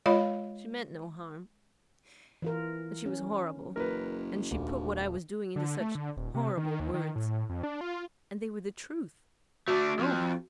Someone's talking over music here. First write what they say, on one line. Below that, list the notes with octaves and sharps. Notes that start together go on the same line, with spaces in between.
She meant no harm--but she was horrible, and she put what I was doing into such horrible words--and they were the truth--oh!
G#3 F4 C#5 D#5 F5 B5
E3 F4 A#4
C#4
F#1 A#4 B4
D#1 D2
D3
A3
D3
D#1
C3
D#3
D#2
D#3
A2
F2
D4
F4
A3 D4 F#4
F2